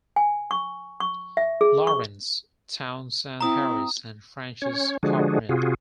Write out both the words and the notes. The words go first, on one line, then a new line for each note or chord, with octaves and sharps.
Lawrence, Townsend Harris, and Francis Cochran.
G#5
C#6
C#6
E5
G#4
C#6
C4 E4 A#5 D#6
C#4 C#5
D3 F3 G#3 D4 F#4 G#4
C3 F4 F#4 G#4